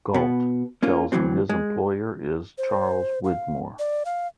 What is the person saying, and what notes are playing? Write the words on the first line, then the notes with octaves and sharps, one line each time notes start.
Gault tells them his employer is Charles Widmore.
B2 B3
A#3 C#4 F4
D2 G#2 E3 F#3 C4
G#3
C5
F5
D5
F5